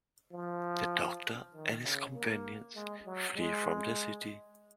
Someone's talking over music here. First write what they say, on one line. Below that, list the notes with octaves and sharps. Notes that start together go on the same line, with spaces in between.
The Doctor and his companions flee from the city.
F3
D#3
C#3
A#3
G#3
F#3
G#3